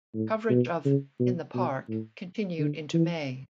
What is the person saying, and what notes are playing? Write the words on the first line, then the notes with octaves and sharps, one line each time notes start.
Coverage of "In the Park" continued into May.
A2
B2
C#3
B2
B2
A2
D3
E3